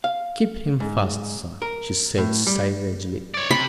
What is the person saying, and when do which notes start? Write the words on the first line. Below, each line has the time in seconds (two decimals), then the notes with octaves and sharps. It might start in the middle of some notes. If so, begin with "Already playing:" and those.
"Keep him fast, sir," she said savagely.
0.04 F5
0.80 G#2
1.62 A#4
2.18 A2
2.47 G3
3.34 C#5 D5
3.51 C3 B5